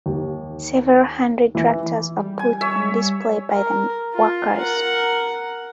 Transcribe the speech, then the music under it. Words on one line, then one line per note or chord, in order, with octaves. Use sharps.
Several hundred tractors are put on display by the workers.
D#2
E3
G3
G#5
C#5 E5
A#4
F4
A#4 F#5